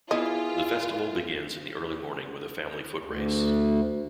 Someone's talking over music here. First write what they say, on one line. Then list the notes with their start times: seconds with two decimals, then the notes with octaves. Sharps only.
The festival begins in the early morning with a family foot race.
0.11 B3 E4 F4 G#4 D#5
3.05 D2